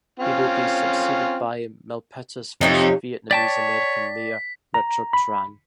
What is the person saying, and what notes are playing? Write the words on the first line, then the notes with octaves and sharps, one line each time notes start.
He will be succeeded by Milpitas' first Vietnamese American mayor Richard Tran.
C4 C#4 F4
F2 C3 D#4 C#5
C#5 D5 G5 A5 B6
A#5
B5